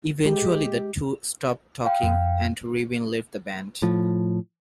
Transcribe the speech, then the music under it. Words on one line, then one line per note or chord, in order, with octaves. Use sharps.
Eventually, the two stopped talking, and Rybin left the band.
G#3 G4
F5 G5
F2
A2 F3